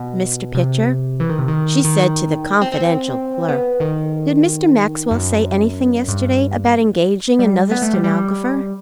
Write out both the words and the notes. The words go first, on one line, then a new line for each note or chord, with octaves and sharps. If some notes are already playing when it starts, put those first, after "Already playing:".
"Mr. Pitcher," she said to the confidential clerk, "did Mr. Maxwell say anything yesterday about engaging another stenographer?"
Already playing: B2
C3
E3
D#3
C3
D#3
D#3
C4
C4
B3
D#3
F#2
G2
G3
B3
A3
G3
G3